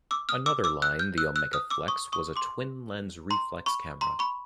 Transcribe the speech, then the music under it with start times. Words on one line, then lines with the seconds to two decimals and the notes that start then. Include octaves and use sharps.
Another line, the Omegaflex, was a twin-lens reflex camera.
0.11 D6 E6
0.29 D#6 F6
0.46 D6 E6
0.64 D6 E6
0.82 E6 F#6
0.99 F6 G6
1.18 E6 F#6
1.36 E6 F#6
1.53 D#6 F6
1.70 D6 E6
1.88 C#6 D#6
2.12 C#6 D#6
2.36 C6 D6
3.30 A#5 C6
3.66 B5 C#6
4.01 A#5 C6
4.19 B5 C#6